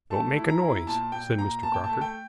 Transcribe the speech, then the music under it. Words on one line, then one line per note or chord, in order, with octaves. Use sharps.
"Don't make a noise," said Mr. Crocker.
A3 A5
E4
A#5
E4
A#2 A5
A#2 G5
A#2 A#5
A#2 A5
G5
A5
A3
G5